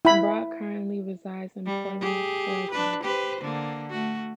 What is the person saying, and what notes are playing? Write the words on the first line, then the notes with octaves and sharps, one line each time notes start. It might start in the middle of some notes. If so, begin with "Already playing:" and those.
Brock currently resides in Portland, Oregon.
E4 B5
G3
G4 G#4
D4 B4
G4 B4 C5
D3 A#3
A3 F#4